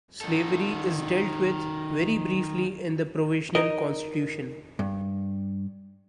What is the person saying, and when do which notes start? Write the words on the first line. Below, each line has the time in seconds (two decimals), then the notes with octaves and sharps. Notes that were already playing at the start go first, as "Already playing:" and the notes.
Slavery is dealt with very briefly in the Provisional Constitution.
0.21 D#3 A4
3.55 D#4 A#4 D#5
4.79 G2